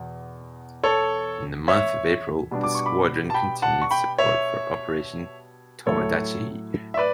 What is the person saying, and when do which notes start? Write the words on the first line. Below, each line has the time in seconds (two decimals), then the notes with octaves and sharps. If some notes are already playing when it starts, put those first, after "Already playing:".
In the month of April the squadron continued support for Operation Tomodachi.
Already playing: E2 B2
0.84 A4 C#5
1.68 C#5 E5
2.51 B2 G3 D4
2.63 D6
2.75 C#6
2.86 B5 D6
3.30 A5
3.34 G5 B5
3.62 F#5 A5
3.82 C#6
3.91 G5 B5
4.19 C#5 E5
5.86 A2 F#3 A3 E4 A4 C#5
6.94 E5
6.97 B4 D5